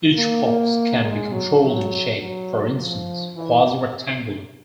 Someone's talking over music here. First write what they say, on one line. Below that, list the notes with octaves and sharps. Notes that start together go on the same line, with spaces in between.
Each pulse can be controlled in shape, for instance, quasi-rectangular.
A#3
A#3
G#3
F#3
F#3
F#3
F3
E3